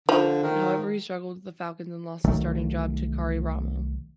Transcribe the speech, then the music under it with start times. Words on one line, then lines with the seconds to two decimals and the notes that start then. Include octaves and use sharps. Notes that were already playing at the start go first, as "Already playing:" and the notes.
However, he struggled with the Falcons and lost his starting job to Karri Ramo.
0.09 D3 F3
0.43 D#3
2.24 C2 D#3 F#3 A3